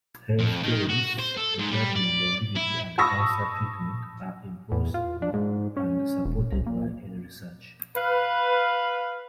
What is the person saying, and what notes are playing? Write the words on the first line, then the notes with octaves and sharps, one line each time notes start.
Health claims regarding longevity and cancer treatment are implausible and unsupported by any research.
F2
D#3
F#4
C5
A4
G#2
G3
D5
E4
A5 B5 C#6 D#6 E6 A#6
E2
F4
D4
G#2
C#4
E1
C2
A#2
B4 F5